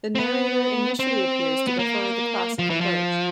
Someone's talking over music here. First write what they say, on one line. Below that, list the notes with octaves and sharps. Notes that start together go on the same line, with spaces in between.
The Narrator initially appears to prefer the classic approach.
C4
B3
C4
B3
A#3
F3
E3
F3